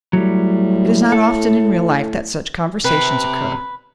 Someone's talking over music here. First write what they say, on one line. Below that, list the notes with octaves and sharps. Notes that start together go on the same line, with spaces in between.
It is not often in real life that such conversations occur.
A2 F#3 G3
A4
C3 B4